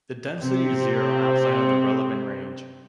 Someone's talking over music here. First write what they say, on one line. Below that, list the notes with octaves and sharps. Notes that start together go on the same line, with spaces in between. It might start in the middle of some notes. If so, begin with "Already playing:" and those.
The density is zero outside of the relevant range.
C3 C4